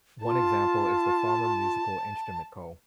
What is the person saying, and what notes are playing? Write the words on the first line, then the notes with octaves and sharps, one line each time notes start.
One example is the Farmer Musical Instrument Co!
F4 A5